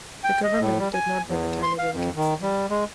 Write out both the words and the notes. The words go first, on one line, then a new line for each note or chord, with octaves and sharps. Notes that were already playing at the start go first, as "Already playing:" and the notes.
The government did not run a candidate against him.
G5
D#5
A2
G3
G#5
E2
C6
F5
F2
D#3
G3
G#3